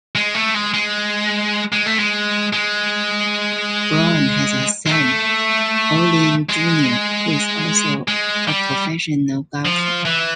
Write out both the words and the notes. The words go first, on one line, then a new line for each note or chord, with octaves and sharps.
Browne has a son, Olin Junior who is also a professional golfer.
G#3
A3
G#3
G#3
G#3
A3
G#3
G#3
G#3
A3
G#3
G#3
G3
F3
E3